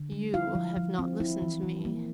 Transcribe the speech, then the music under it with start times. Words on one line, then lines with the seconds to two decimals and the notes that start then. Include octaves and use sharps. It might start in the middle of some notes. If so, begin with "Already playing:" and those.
You have not listened to me.
Already playing: D3
0.12 G3
0.34 E4 F5
0.55 F3
0.77 F3
0.99 C4
1.20 E4
1.42 E3
1.63 E3
1.85 A#3